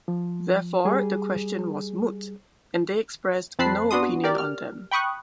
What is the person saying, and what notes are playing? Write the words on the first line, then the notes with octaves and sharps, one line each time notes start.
Therefore, the question was moot, and they expressed no opinion on them.
F3
G3 G#4
F2 C4 A5 B5 F#6 C7
B3 D4 F#4 C6 D#6
F#4
G4 A#4 D5
F6
G5 B5 C#6 D#6 F#6